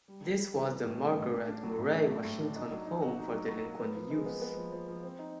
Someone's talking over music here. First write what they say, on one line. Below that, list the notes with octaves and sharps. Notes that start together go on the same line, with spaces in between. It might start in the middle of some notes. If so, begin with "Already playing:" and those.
This was the Margaret Murray Washington Home for Delinquent Youths.
G3
G3
G3
E3
E3
A2
G3
A2
D4
D4
F#3
A2
D4
A3
A2
D4
D#4
F#3
D#4
F#4
D#4
F#3
F#3
A#3
B3
F3
G#3
B3
B3
F3
F3
F3
C4
D#4